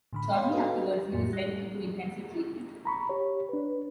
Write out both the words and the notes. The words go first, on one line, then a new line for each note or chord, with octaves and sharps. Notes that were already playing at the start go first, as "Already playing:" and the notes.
Shortly afterwards, he was sent into intensive treatment.
A2 D3 B5
C#5 F5 B5 C6
F#4 A4 B4 D#5 F5
F2 A2 A#3
G3
A#5 B5 C#6
G4 C#5
D4 B4